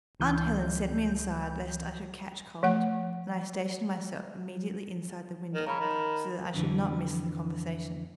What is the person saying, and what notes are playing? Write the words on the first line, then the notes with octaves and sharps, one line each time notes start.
Aunt Helen sent me inside lest I should catch cold, and I stationed myself immediately inside the window so that I should not miss the conversation.
C#2 E3 G6
F3 A3 F#5
D#3
C#3 A#5 B5
D#3
F2 D3 E3